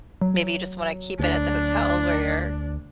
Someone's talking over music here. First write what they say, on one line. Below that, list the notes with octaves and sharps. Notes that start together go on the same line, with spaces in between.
maybe you just wanna keep it at the hotel where you're
F#3
D2 D4